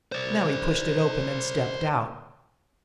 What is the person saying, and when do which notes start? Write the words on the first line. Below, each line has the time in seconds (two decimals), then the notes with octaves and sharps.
Now he pushed it open and stepped out.
0.12 C5 D5